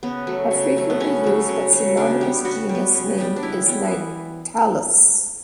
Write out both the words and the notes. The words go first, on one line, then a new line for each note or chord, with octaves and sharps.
A frequently used but synonymous genus name is "Nyctalis".
C#3 B3
F#3 A3
C#3
F#3 A3
B3
C#3 C#4
F#3 A3
C#3
F#3 A3
C#3 D4
G3 B3
C#3 F#4
G3
B3
C#3
G3 B3
D4
C#3 E4
G3 B3
E3